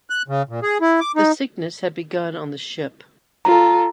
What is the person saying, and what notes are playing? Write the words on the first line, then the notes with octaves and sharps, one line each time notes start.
The sickness had begun on the ship.
F#6
C#3
A#2
G#4
E4
D6
D#4
F4 A4 A#5